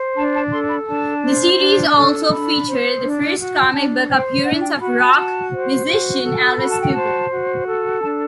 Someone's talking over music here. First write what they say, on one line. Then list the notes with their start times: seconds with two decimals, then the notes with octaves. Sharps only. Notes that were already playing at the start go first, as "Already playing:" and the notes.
The series also featured the first comic book appearance of rock musician Alice Cooper.
Already playing: C5
0.16 D4 A5
0.34 A5
0.52 A4 C6
0.69 B5
0.88 D4 A5
1.24 C5
1.58 D4
1.95 A4
2.31 D4 B5
2.66 C5
3.02 D4
3.37 F#4
3.73 D4 A5
4.09 C5 G5
4.44 D4 F#5
4.62 G5
4.80 F#4 B5
4.98 A5
5.16 F#4
5.51 C5
5.87 F#4
6.23 A4
6.59 F#4 B5
6.70 A5
6.81 G5
6.93 C5 A5
7.31 F#4
7.66 A4
8.01 D4 A5